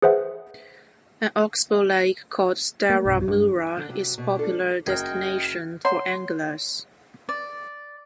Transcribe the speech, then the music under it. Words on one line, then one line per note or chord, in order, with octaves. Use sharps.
An oxbow lake called Stara Mura is popular destination for anglers.
G#4 B4 C5 E5 F#5
A3 A#3
B1 G2 C3
G2
D3
C3 F#3
B2
D4 F4 A4
F#1 F#4 A#4 D#5 G5 F6 G#6 C7
C#5 F#5 A#5 C6
D5